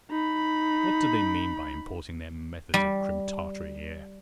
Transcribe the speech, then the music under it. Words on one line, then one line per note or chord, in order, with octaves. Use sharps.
What do they mean by importing their methods of Crim-Tartary here?
D#4 B5
G3